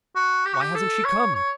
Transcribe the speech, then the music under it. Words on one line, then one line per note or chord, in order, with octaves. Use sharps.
'Why hasn't she come?
F#4
G4
F#4
G4
A4
C#5
C#5